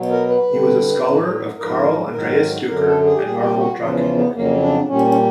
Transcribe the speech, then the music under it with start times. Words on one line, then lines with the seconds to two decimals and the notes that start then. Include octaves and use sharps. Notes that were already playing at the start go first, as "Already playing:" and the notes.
He was a scholar of Karl Andreas Duker and Arnold Drakenborch.
Already playing: B2 F#3
0.10 A#4
0.29 B4
0.47 G2 D3 G3
1.03 A2 F#3
1.58 G#2 F3 A#4
2.12 G#2 D#3 F#3 A#4
2.67 F#2 D3 F#3 A#4
2.86 A4
3.05 G#4
3.15 G4
3.23 A#2 G3 G#4
3.42 G4
3.59 F#4
3.78 E2 C#3 F3 F4
3.97 F4
4.15 B3
4.33 F2 C#3 F#3 A#3
4.61 D4
4.88 A#2 G3 C#4
5.07 C#4